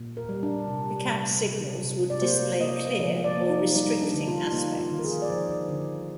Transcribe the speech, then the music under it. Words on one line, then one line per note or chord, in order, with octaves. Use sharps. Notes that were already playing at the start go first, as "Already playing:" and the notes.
The cab signals would display "Clear" or "Restricting" aspects.
Already playing: A#2
A#4
G3
D4
C3
G3
C3
C3
D5
A#3 C5
A#3 D#5
F3 D#5
D5
A#3
D#4
G3 D#4
D4
D3
F4
A#3 D#4
F4
D#3
A#4
G#4
D5
F3 C5
D3